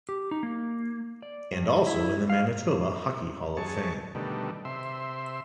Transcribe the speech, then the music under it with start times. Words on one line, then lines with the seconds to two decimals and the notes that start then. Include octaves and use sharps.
And also in the Manitoba Hockey Hall of Fame.
0.09 G4
0.31 D#4
0.43 A#3
1.22 D5
1.53 G2
1.87 E4
2.30 F5
3.57 F#2 G#4 A5 C#6
4.15 B2 D3 D#3 G3 A3
4.65 C3 E5 C6